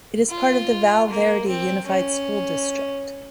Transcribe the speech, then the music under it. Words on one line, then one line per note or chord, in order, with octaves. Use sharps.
It is part of the Val Verde Unified School District.
F4
A#3
C4
C#4